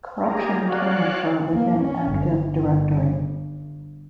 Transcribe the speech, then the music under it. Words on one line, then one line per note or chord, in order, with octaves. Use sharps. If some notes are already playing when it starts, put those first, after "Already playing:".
Corruption can occur within Active Directory.
A#3 G4 G#4 A#5
F#4 C#5 D5 F5 F#6
A#3
C#4
G1